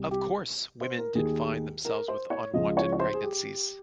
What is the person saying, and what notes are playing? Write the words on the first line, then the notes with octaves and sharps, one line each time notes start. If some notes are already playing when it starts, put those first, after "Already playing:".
Of course, women did find themselves with unwanted pregnancies.
Already playing: C2 C3
G4
C5
A#4
D#2 D#3 G#4
A#4
C5
C#5
C#2 C#3 F3 D#5
C#5
C#5
C5
G#4
G4